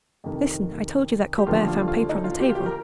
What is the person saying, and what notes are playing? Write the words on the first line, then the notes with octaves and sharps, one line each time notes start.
"Listen; I told you that Colbert found paper on the table."
F2 C3 D#3
G4
D#2 D3 F3 A3 D4 F4
F4
F4
D#4
F4
G4
F4
G4
A#4